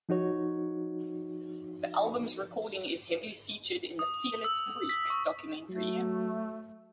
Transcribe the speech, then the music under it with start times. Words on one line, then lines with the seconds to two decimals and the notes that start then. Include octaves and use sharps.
The album's recording is heavily featured in the "Fearless Freaks" documentary.
0.09 F3 D#4 F#4 C#5
3.99 D#6
4.44 E6
4.89 B6
5.10 C#6
5.69 F#3 A3